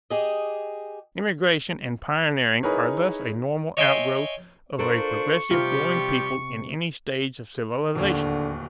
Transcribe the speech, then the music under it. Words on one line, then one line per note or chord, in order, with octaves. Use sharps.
Emigration and pioneering are thus a normal outgrowth of a progressive growing people in any stage of civilization.
G4 G#4 D#5
D#4 E4 G#4 A#4 B4 C#5
C#5 D#5 E5 G5 G#5 C6
D4 F4 A4 A#4 C5 C#6
C3 F3 G3 F4 G4
D1 D#2 D3